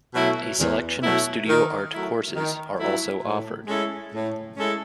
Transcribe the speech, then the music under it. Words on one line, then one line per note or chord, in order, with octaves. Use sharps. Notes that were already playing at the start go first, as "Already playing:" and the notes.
A selection of Studio Art courses are also offered.
B2 F#3 A3 E4
E2
B2 F#3 A3 E4
D#3
F#3 A3 E4
D#3
F#3 A3 E4
A2
G#3 C#4 E4 A4
A2
G#3 C#4 E4 A4